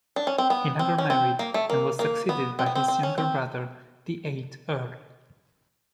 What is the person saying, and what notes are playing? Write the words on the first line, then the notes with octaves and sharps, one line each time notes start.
He never married and was succeeded by his younger brother, the eighth Earl.
D4
C#4
C4
B3
C4
C#4
C4
A#3
A3
A#3
A#3
B3
C4
B3
C4
C4
C#4
C4